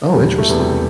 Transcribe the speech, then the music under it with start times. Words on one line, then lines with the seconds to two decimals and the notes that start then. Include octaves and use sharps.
Oh, interesting.
0.15 E1 G3
0.38 A3
0.49 E2 C3
0.60 G3